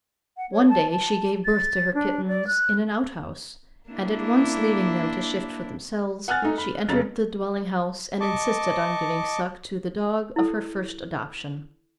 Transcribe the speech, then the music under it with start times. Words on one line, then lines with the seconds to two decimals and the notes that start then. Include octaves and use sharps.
One day she gave birth to her kittens in an out-house, and at once leaving them to shift for themselves, she entered the dwelling house and insisted on giving suck to the dog of her first adoption.
0.37 F#5
0.52 C#5
0.69 A5
0.92 A5
1.45 A6
1.94 D4
2.28 D5
2.47 F#6
3.90 A#3 D4 E4
6.28 F#5 G#5 F6 F#6 A6
6.42 A3 D#4
6.58 B5
6.89 F2 C#3 F#3 A6
8.20 D#5 A5 C#6 D6
10.36 E4 A4